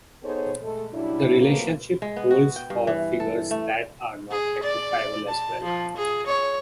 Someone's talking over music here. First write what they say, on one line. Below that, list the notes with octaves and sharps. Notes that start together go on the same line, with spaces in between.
The relationship holds for figures that are not rectifiable as well.
B3 D#4 G#4 A4 C5 C#5
G#3 A3 A4
C#3 F#3 G3 D4 E4
F3 F#3 A3 A#3 C4 B4
G#3
B3
F#4
G5
G2
E3
A4
A3
G#4
D5
A5
F3
G#4
C#5